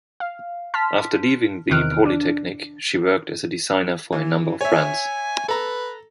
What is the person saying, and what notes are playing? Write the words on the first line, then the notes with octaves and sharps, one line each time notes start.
After leaving the Polytechnic she worked as a designer for a number of brands.
F5
A5 C6 F6 B6
E2 C3 D#3 F6 F#6 D7
D4
E3
C#5 E5 G#5
A4 B4 A#5